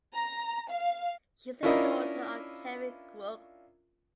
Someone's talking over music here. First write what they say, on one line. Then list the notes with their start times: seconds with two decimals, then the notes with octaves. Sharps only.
She is the daughter of Terry Grourk.
0.15 A#5
0.70 F5
1.63 C#4 D4 E4 F4 A#4 D#5